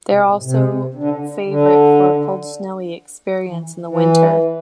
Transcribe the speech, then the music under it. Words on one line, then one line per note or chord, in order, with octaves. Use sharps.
They are also favorite for a cold snowy experience in the winter.
C3
A2
C3
D3
D3
E3
E3